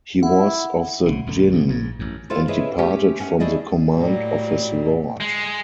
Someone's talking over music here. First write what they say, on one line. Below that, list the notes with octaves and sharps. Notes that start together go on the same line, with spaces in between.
He was of the jinn and departed from the command of his Lord.
E4 F#5
B1 C#3
B1 F#2 D3 A3
G#2 C3 F3
A#1 G#2
A1 F#2
E4 F4 A4 C5 D5 F5
E4 G#4 B4 C#5 D#5
A3 C#4 G4
C#4 F#5
A3 E4 G#4 D5 D#5
A2 F#3 G3 A#3
G#3